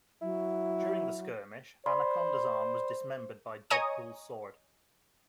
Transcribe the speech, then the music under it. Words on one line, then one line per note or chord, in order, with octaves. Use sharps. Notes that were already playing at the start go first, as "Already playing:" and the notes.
During the skirmish, Anaconda's arm was dismembered by Deadpool's sword.
F#3 E4
C5 D5 B5 C6
C#5 D#5 G#5 A#5 C#6 D#6